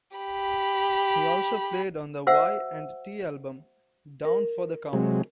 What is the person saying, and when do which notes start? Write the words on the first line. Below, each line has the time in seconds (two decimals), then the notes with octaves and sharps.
He also played on the Y and T album "Down for the Count".
0.17 G4 B5
2.27 F#4 C5 E5 F#5 E6
4.25 A#4
4.93 C3 F#3 G#3